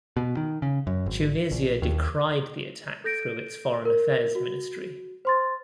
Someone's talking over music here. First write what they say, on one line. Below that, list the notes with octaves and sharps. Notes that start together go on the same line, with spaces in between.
Tunisia decried the attack through its foreign affairs ministry.
B2
D#3
C#3
F#2
G#1
A#1
D#2
A4 G6 A#6 D7
A#4
F#4
C5 C6 A6